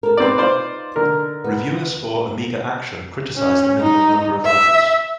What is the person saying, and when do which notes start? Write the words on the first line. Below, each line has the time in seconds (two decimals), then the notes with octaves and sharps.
Reviewers for "Amiga Action" criticized the minimal number of levels.
0.03 A4 A#4
0.17 C4 D#4 B4 D5
0.38 F4 C5 D5
0.96 D3 A#4
1.44 B3
3.36 C#4
3.81 D#4
4.45 E5